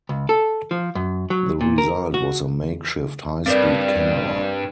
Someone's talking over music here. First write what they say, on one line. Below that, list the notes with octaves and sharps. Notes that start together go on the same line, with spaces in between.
The result was a makeshift high-speed camera.
C#2
A4
F3
F#2
F#3
A#2
A#4
F#4
G2 C4 A#4 D5